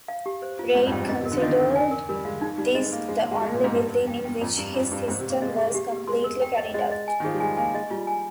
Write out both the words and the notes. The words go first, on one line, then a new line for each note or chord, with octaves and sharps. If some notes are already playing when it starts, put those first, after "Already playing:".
Reid considered this the only building in which his system was completely carried out.
F5
G4
C5
F4
G#2 C5
F2
G2 G5
G#2 D#5
C3
A#4
D3
F3
D#3 D#5
A#4
G#5
A#4
G3 A#4
G#3 F5
G#3 D#4
G3 D#4
G#3 D#5
A#3 D#5
G#3 C5
A#3
C6
G#3
G#3 G5
A#2
C6
G#2
G2 G5
A#4
G5
G5
F2 A#5
G2 A#5
F2 G#4
G2 G5
G#2 C5
C3
C5
A#3
G#3 D#5
G#4
G4
G4
G#3 C6
A#4
G5
D#5
G#3 D#5
D#5
G#5
D#3
F3 G#4
G3
G#3 G#5
A#3 G#5
G#3 D#5
G3 F4
G#5